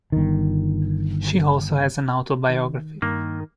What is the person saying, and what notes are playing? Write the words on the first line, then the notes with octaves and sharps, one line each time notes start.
She also has an autobiography.
G1 D#3
D#3
G2 D#3 A#3